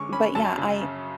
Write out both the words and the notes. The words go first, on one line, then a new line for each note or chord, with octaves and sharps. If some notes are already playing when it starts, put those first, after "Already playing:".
but yeah I
Already playing: D3 G#3 C#4 C#6 D6
C#4 B5
F#2 A5
C#3
C#3